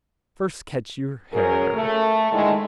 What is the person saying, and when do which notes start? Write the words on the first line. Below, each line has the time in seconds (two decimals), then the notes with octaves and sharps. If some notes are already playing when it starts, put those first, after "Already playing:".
First catch your hare.
1.33 F#2 C#4 G#4 A#4
1.75 A3
2.32 A2 D3 D#3 G#3